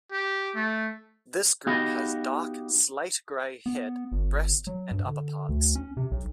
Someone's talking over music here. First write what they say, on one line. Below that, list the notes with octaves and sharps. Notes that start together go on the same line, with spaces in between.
This group has dark slate-gray head, breast and upperparts.
G4
A3
B3 D#4 F#4 G4 D#5 F5
B3
G1
F#3
G2
D3
D2
C#4
C3
B1